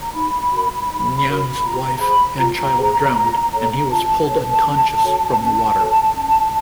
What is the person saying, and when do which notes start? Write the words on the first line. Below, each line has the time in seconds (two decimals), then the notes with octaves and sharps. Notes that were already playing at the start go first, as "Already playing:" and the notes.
Ngạn's wife and child drowned and he was pulled unconscious from the water.
0.03 A#5
0.13 D#4 B5
0.50 F#4
0.55 A#4
0.88 D#4
1.27 F#4 A#4
1.63 F4 A#5
2.01 G#4 C5 B5
2.39 F4 A#5
2.77 G#4 C5
3.15 F4
3.51 A4 C#5
3.89 F4 A5
4.27 A4 C#5
4.64 C#4
5.03 F#4 A4 C#5
5.40 C#4
5.78 F#4 A4 C#5
6.15 C#4